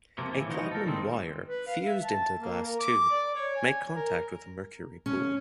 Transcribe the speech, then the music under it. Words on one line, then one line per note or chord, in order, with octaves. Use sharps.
A platinum wire, fused into the glass tube, made contact with the mercury pool.
C3 F3 A#3
A2 E3
E3 F3 B3 D#4 F#4
A4 A#4
D#3 G3 G#3 C4
B4
F5
E5
A5
A#3
A#4
D6
D5
C#5
G#5
A#4
C#4